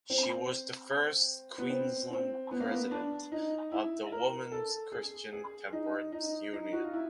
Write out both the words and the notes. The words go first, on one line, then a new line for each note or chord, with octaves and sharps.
She was the first Queensland president of the Woman’s Christian Temperance Union.
C4
B3
C4
C4
B3
A#3
B3
D4
D#4
E4
A#4
A4
G#4
G#4
D#4
D#4
D#4
F#4
F4
E4